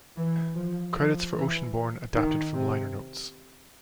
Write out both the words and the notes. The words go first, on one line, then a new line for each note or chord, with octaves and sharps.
Credits for "Oceanborn" adapted from liner notes.
E3
F3
F3
E3
D#3
C3